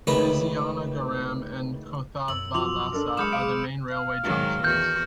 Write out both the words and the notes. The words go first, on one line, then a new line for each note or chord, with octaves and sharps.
Vizianagaram and Kothavalasa are the main railway junctions.
C#2 A2 D#3 G#4 B4 D#6
F#2 E6 F#7
F3 F#3 C6 D6 F7 F#7
D4 A4 A#4
F#3 G#3 B5 D#6 F6 G6 C#7 E7
F5 D6 D7
F5
G#2 D#3 F#3
E2 F#4 F6 G6